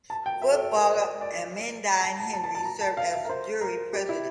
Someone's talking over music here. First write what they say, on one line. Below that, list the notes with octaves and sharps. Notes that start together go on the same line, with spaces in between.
Footballer Amandine Henry served as the jury president.
A5
G5
E5
A4
A4
A#4
C5
D5
D5
A5
A5
A5
A5
A5
A#5
A5
F5
E5
A#4
C5
A#4
G4
E4